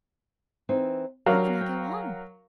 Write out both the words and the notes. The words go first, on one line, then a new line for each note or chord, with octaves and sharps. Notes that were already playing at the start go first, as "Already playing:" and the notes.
How can I go on?
E3 C4 D#4
F#3 D4 G4 A#4 F5
G5